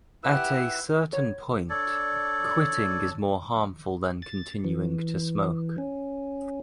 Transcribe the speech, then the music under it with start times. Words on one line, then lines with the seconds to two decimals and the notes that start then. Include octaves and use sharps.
At a certain point, quitting is more harmful than continuing to smoke.
0.23 E4 G4 B4 F#5 E6
1.13 C#5
1.70 D4 A4 C#5 D5
4.22 A6
4.64 E3
5.78 C#4